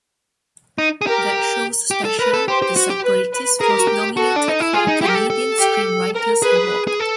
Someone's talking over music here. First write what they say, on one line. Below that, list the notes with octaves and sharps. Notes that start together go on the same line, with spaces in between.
That show's special, "The Separatists", was nominated for a Canadian Screenwriters Award.
D#4
G#4
G4 A#4
G4
A4
A#4 B4
A4
G4 C5
G4
F#4
G4
B4
B4
G#4 A#4
G4
F#4
G4
F#4 A4
D4
D#4
E4
F4 G#4
D#4
E4 G4
A#4
A4
A4
G4
A#4
G#4 B4
G#4
A4